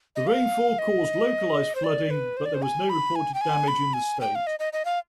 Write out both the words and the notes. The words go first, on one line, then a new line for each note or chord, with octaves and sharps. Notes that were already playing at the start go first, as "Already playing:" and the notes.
The rainfall caused localized flooding, but there was no reported damage in the state.
D#5
F5
D#5
C5
D5
B4
C5
D5
C5
G#5
B5
G#5
G5
G#5
B5
G#5
G5
F5
D#5
D#5
D#5
F5